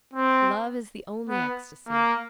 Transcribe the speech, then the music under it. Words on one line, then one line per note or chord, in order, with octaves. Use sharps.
Love is the only ecstasy.
C4
B3
A#3